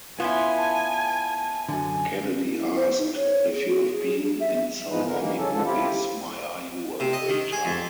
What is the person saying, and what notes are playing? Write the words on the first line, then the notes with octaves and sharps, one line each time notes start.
Kennedy asked, If you've been in so many movies, why are you a waiter?
B3 C#4 E4 F4 G#5 C6
A5
F#2 D3 G#5
C#4
E4
C5
D#4
C#5
G#4
F#4
G#4
D4
E5
G#2 F3 G#3 D#4 B4
D3 E3 A#4
D#3 E3 A#3
C#3 C#4 A4
D3 D#3 F3 D4 A4
C4 E4 F4 G4
C3
D#5
D#3
G#4
F2